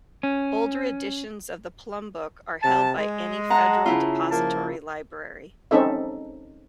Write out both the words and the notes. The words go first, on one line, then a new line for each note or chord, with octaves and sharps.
Older editions of the Plum Book are held by any Federal depository library.
C#4
C3 A5
G#3
F#5 A5 A#5
C#3 E4 F4
F3 A#3 A5
C4 C#4 D#4 A4 E5